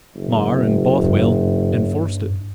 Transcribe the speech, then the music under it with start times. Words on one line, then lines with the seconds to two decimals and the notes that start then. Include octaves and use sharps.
Mar and Bothwell enforced it.
0.15 F#1
1.04 G2